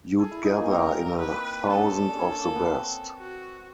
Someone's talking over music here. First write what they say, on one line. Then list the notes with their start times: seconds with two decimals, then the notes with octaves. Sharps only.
You'd gather in a thousand of the best.
0.19 G#4 A4
0.31 E4
0.45 D#4
0.57 A#3
0.64 C#4
0.69 C4 A#4
1.19 B4
1.63 D4
1.68 C#4 A4
2.09 D4
2.18 C#4
2.30 C#4
2.43 A#3
2.55 B3
2.68 C4
3.18 F#4